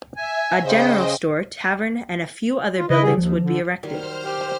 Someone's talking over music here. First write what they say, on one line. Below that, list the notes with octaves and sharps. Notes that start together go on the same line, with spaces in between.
A general store, tavern, and a few other buildings would be erected.
E5 G#5
C#3 C5 D#5 G5
F4
C#3 E4 B4 D#5
D3 G3 G#4
D#2 F3
D3
D#3 F#3 G3 C5 F6
G4